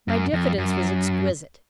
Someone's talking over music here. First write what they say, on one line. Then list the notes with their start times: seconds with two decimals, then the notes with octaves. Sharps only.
My diffidence was exquisite.
0.08 F#2
0.33 F2
0.58 F#2